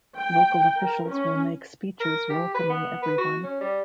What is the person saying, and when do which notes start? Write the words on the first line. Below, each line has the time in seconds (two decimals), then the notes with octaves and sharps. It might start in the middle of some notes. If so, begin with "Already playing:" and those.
Local officials will make speeches welcoming everyone.
0.17 G5
0.79 A#4
1.09 C#4
2.00 A#4
2.30 G4
2.54 B4
2.69 B3
3.02 B4
3.18 F#4
3.43 C#4
3.61 G3